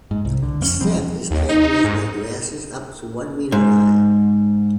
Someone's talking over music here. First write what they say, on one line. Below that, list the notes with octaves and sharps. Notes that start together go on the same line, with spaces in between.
Steppe is characterized by grasses up to one meter high.
G#2
C2
D3
F2 A#3 C#4
E1 F3 G3 C4
D#2
D#4
D#4
G#2
G#2